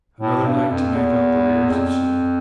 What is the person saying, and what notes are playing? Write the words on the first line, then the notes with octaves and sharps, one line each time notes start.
Another night to make up arrears of sleep.
A2
G2
F2
E2
F2